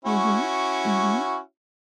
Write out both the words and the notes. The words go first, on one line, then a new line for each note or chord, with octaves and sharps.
Mhm, mhm.
C#4 E4 F#4